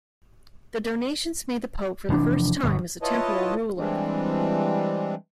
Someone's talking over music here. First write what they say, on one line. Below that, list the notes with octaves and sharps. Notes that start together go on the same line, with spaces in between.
The Donations made the Pope for the first time as a temporal ruler.
F1 E3 F3 D4
G1 B2
E4 F4 B4 C#5 D#5 A5
E3 G3 G#3 C4 D4